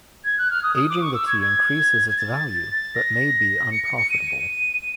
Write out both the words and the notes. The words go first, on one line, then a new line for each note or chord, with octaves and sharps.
Aging the tea increases its value, but may be unprofitable.
G#6
F#6
F6
D#6
D#6
D6
C#6
E6
G#6
G#6
G#6
A6
A#6
C#7
C#7
C#7
D#7